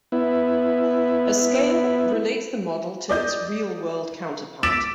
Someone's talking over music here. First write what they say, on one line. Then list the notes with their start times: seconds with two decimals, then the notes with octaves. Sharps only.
A scale relates the model to its real-world counterpart.
0.12 B3 E4
3.09 D5 D#5 G6
4.63 D6 E6 A6 B6 D7 E7